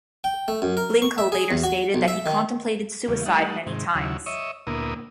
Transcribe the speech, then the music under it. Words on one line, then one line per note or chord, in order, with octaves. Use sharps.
Blincoe later stated that he contemplated suicide many times.
G5
A3
F#2
A#4
C#6
E5
G#4
E2
F#4
B1
E5
D#3
E2 C#3 G3
G3 A3 D#4 F#5
G#2 C3 D#3
D#2 C#3 F#3 E4
C#5 D#5 E5
D2 A#2 A#3 B3 E4 D#6